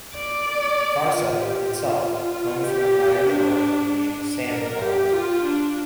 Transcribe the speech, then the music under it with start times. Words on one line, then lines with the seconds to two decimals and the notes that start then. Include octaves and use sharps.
"Farset" itself comes from an Irish word meaning "sandbar".
0.14 D5
1.08 F4
1.40 G4
1.70 F4
2.63 G4
3.26 D4
3.89 D4
4.19 D4
4.51 A#4
4.81 G4
5.12 F4
5.44 D4